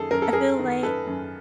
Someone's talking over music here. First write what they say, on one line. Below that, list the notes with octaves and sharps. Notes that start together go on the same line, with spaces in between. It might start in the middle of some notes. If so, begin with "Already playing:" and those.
I feel like
Already playing: F#2 D#3 G#4 A4
F#2 A#4
A4
F#2 G#4 A#4
D#3
F#2 A4 B4
F#2